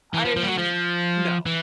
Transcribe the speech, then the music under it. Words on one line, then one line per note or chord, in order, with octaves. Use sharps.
I no.
E3
F3
F3
G3
F#3
F3
E3